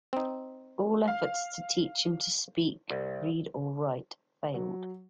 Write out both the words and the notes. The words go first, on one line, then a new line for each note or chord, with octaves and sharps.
All efforts to teach him to speak, read or write failed.
C4 D#4
F5
C2
F#3